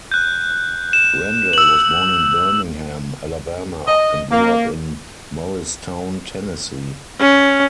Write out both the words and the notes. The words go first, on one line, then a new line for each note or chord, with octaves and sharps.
Randall, was born in Birmingham, Alabama and grew up in Morristown, Tennessee.
F#6 G6
E7
E6 F#7
D#5
A#3
C#4